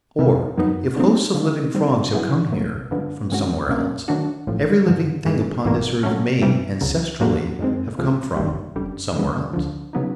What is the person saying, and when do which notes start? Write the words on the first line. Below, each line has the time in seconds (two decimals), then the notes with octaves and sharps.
Or if hosts of living frogs have come here--from somewhere else--every living thing upon this earth may, ancestrally, have come from--somewhere else.
0.19 C3 E3 G3
0.57 F#2 D#3 F#3 B3 D#4
0.96 D3 F3 A3 C4 D#4
1.34 D3 F3 G#3
1.74 D#3 G3 C4
2.13 D3 F#3 B3 E4 G#4
2.52 B2 F#3 A3
2.91 G2 D3 F3 G#3 B3
3.30 G2 D#3 G#3 C#4 F#4
3.69 B2 F#3 A#3 C#4
4.08 D#3 F#3 A3 D4 F#4
4.47 A1 A2 F3
4.86 G2 D3 F3
5.25 G2 E3 G#3
5.65 G#1 G#2 E3 G3 A#3
6.03 A#2 F#3 A3 C#4
6.42 C3 E3 G3
6.81 C#2 C#3 F#3
7.20 A2 F#3 A#3 D4 F#4
7.59 F#2 D#3 G#3 C4
7.98 D2 C3 F3 G#3
8.36 G#1 G2 D#3 G3
8.76 G1 F#2 D3 G3
9.16 F#2 D3 F3 G#3 B3
9.53 D2 D3 F3
9.93 C#3 F#3 B3 D#4